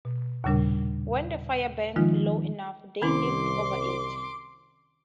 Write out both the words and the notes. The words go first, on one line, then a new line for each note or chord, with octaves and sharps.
When the fire burned low enough, they leaped over it.
B2
D#2 A#2 C#3 G3 D4 A#4
D#3 F3 G#3 D#4 F4
C2 D#3 C#4 E4 C6 D6